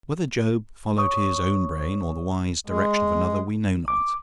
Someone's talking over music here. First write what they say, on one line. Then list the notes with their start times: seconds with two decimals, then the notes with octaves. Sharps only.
Whether Job followed his own brain, or the wise direction of another, we know not.
0.98 C#5 C#6 D#6
2.66 G#3
3.88 D6